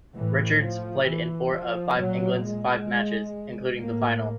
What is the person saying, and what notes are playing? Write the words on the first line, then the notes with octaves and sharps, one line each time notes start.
Richards played in four of England's five matches, including the final.
A2 E3
F3
E3
F3
A#2 F#3
G#3
A2 A#3